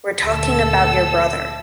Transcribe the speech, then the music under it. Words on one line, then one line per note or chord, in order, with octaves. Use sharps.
We’re talking about your brother.
D2 A#2 A4 E6